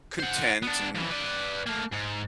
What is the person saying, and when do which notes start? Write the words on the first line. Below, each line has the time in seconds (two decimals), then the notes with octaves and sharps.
content and
0.20 C5 F#5
0.63 B3 D4
0.95 F2 E3
1.10 B4 D5
1.66 A3 A#3
1.92 G#2